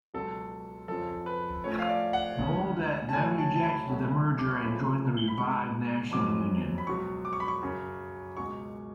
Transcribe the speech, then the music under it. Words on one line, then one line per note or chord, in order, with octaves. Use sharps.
Moledet then rejected the merger and joined the revived National Union.
C#2 B2 F#3 A4
F2 C#3 F3 A4
B4
A2 F3 A3 C#4 C#5
F5
D5
F#5
D2 C#3 G#3 C#4
A5
A2 F#3 A3 C#4 G#5
A5
A5
B5
C#2 B2 F#3 A3 C#4
D6
C#6
C#2 C#3 F3 A3 B5
B5
G#2 G#3 B3 C#6
F2 C#3 F#3 B3 D6
B5
C#2 B2 F#3 C#6
D6
C#6
B5
C#6
F#2 C#3 F#3
C#2 B2 G#3 C#6